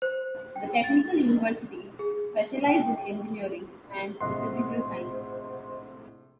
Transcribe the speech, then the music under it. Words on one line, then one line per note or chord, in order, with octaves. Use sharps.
The "technical universities" specialize in engineering and the physical sciences.
C5
G5
A6
G#4
G5
A#1 A2 C3 C5 D#5 F#5 C6